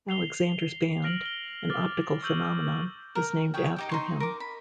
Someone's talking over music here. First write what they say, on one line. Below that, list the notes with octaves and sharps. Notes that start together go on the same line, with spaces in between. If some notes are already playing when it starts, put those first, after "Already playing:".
Alexander's band, an optical phenomenon, is named after him.
C7 F7 G7
F6 A#6 D7 F7 F#7
G7
D6 F6 A6
C#6 E6 G6 D#7 F#7
A#4
G#4 C#5 G5
D#4 G4 G5
D#4 C6 C#6
A#4 D6
B5